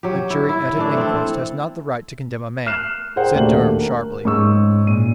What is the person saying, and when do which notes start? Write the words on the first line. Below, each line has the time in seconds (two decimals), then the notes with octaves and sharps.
"A jury at an inquest has not the right to condemn a man," said Durham, sharply.
0.03 F#3 G4
0.30 E4
0.49 E4
0.77 E3 A3 D4
0.97 C4 A4
2.66 F6 F#6 C7 E7
3.16 G#4 A#4 C5 F#5 G5
3.34 D#1 A3 A#3 D4 F#4 F#7
3.80 A#4
4.25 G#2 C#4 C#6 E6
4.87 A#2 D#7